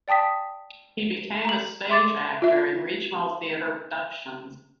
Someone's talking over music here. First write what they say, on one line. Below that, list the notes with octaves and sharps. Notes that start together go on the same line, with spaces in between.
He became a stage actor in regional theater productions.
D5 G5 A5 D#6 B6
A#5 F#7
E5 C6 D6 A6
F4 E5